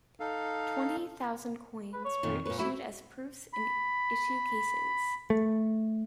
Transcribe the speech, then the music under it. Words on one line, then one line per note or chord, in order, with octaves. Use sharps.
Twenty thousand coins were issued as proofs in issue cases.
D#4 A4 F5
B4
C#5
F2 A#2 D#3
A#2 B4 C#5
A3 E4 F#4
B5
A3